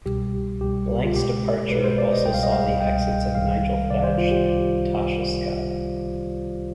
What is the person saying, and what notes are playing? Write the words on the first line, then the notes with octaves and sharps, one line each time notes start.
Blank's departure also saw the exits of Nigel Thatch and Tasha Scott.
C2 B2 G3 G4
C2 B2 G3 G4
F4
B1 B2 G#3 G4
B1 B2 G#3 B4
C5
D5
D#5
C2 B2 G3 G5
F5
D#5
F5
C2 B2 G3 G5
C2 C3 D#3 G3 F5
C2 C3 D#3 G3 D5
C5
F4
G4